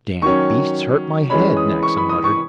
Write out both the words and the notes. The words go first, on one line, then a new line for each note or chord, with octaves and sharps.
"Dam' beasts hurt m'head," Naxa muttered.
D#3 F#3 C#4 C#6
E3 G#3 C#4 B5
D#6
C#6
B5
D#6
C#6